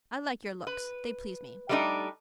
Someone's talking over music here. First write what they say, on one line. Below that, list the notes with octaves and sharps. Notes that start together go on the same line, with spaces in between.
I like your looks; they please me.
B4
G3 A3 B3 D4 D#4 G4